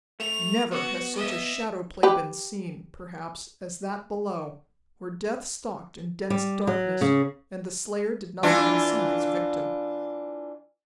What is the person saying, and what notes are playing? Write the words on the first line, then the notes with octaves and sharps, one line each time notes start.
Never has such a shadow-play been seen, perhaps, as that below, where death stalked in dense darkness, and the slayer did not even see his victim.
A3 F7
B3 F#4
D#5 E5
G4 B4
G3
F#3
C#3
E3 D4 F4